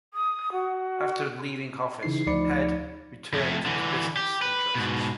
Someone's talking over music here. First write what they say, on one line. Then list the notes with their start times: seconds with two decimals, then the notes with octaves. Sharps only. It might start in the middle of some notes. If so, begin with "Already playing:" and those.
After leaving office Head returned to his business interests.
0.14 D#6
0.52 F#4
2.03 C#3 E3 D#4 E4 C7
2.27 D2 F3 D#4 D5 B5 C#7
3.33 F2 A3
3.66 D3 E3
4.17 G4
4.42 B4
4.75 G#2 B2